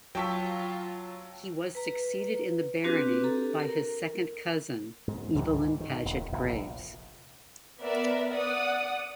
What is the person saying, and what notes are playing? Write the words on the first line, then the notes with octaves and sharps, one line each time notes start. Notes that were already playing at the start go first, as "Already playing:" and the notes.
He was succeeded in the barony by his second cousin Evelyn Paget Graves.
F#3 F4 G5 A5 C#6 E6 B6
B4 A#5
C4 D4 F#4 G4 B4
A4 A#5
A#4
G#2
C#2 G#2 E3 G3
D#3
D#1 D#2
F1 A#1 E2
B3 A#4 D5 E5
D5 F#5 D#6